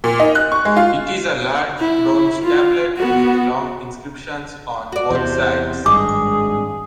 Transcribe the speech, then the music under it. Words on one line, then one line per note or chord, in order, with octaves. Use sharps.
It is a large bronze tablet with long inscriptions on both sides.
A#2
D#4
F#6
C#6
G#3
F4
E4
F4
B3 F#4
F#4 D5
E2 C3 C5
G#1 G2 G#3 G#4 D6